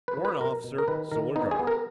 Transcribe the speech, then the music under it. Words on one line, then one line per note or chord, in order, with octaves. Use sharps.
Warrant Officer--Solar Guard.
B4
F3
B4
B2 A#4
B2
A#4
D#3 B4
D#3 A#4
B3 D#4
G#4
B3
A#4